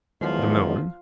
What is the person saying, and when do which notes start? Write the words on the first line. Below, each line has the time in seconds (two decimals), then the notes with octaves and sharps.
"The moon."
0.21 E2 D#3 F3 F#3 G#3